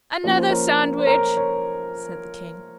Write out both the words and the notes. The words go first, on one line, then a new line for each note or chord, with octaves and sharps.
'Another sandwich!' said the King.
F3 A#3 C#4 C#5
C5
A#4 C#5
C5
A#4 C#5
C#5